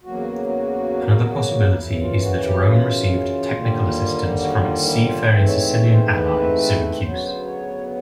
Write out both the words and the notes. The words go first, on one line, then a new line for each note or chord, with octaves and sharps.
Another possibility is that Rome received technical assistance from its seafaring Sicilian ally, Syracuse.
E2 C#3 F#3 A#3 F#4
F#4
F#2 C#3 E3 E4
F4
F#4
G4
F4
D#2 D3 G3 A#3
F#4
F4
E4
F4
G#2 E3 A3 C4
C#5
C#5
C5
A#4
B4
D2 C#3 F#3 B3 C5
C#5
C5
C#5